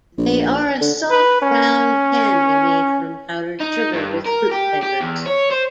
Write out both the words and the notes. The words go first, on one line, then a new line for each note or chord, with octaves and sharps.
They are a soft round candy made from powdered sugar with fruit flavors.
A#1
D3
B4
C#4
D#4
G2
A#4
G4
G4
E2
C#5
C5